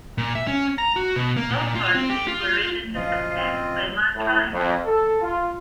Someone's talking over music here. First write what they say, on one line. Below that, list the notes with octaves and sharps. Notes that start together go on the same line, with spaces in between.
Both horses were ridden to success by Matt Ryan.
A#2
E5
C#4
A#5
F#4
B2
A#3
A#2
F4
C4
G4
F4
F#1 A#2 F3 F4 D#5 F5
C4
A2
F2
A4
F4